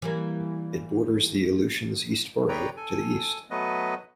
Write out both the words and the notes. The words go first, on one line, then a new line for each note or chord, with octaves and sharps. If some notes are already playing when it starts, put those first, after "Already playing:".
It borders the Aleutians East Borough to the east.
E3 G3 A#3
B4 C#5 D5 G5 A#5
A4 G#5
F#3 A3 B3 B4 D#5